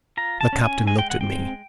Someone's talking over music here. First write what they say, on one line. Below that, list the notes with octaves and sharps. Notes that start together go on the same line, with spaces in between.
The captain looked at me.
F4 A#5
A5
C#4
G#5
G#3 G#5
G5
F#5
C4 G5